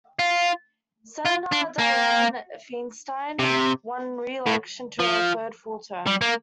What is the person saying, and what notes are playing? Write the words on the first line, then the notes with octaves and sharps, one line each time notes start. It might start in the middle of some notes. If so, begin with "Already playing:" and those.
Senator Dianne Feinstein won re-election to her third full term.
F4
F4
D4
A#3
C3
A2
F3
G3
A#3